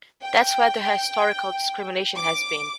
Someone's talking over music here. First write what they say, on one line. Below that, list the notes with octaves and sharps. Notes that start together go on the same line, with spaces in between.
That's where the historical discrimination has been.
G5
D6